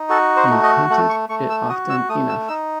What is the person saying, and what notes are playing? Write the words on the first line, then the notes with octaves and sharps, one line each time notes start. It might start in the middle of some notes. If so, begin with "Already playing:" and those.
You've hinted it often enough.
Already playing: D#4
F#4 A4
C5
A3
D#5
A3 F#5
C#6
A3 C#6
E6
F#4 D#6
E6
A3 D#6
E6
D#4 E6